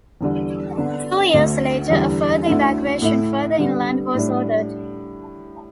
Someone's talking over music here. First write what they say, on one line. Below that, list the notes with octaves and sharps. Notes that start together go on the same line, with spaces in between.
Two years later a further evacuation further inland was ordered.
E2 D3 G3 D4
D3 B3 D4
D2 D3 A3
E2 D3 G3
D2 D3 A3 E4
A2 A3 E4
D3 G3 B3
A2 G3 D4